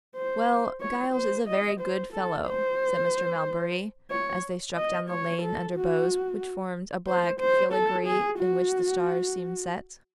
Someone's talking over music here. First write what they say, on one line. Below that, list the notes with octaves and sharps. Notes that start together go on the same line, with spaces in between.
"Well, Giles is a very good fellow," said Mr. Melbury, as they struck down the lane under boughs which formed a black filigree in which the stars seemed set.
C5
C#5
C5
D#5
C5
A4
C5
C#5
D#5
C#5
A4
F#4
C5
C5
A4
G#4
F#4